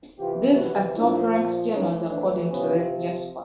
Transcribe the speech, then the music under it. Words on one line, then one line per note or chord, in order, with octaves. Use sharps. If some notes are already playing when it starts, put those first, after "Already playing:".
These are top ranked journals according to Red Jasper.
C3 E3 F4 G4
E4 F#4
A#2 F3 D4 E4
A2 E3 C#4 D#4
C4 D4
C3 F3 B3 C#4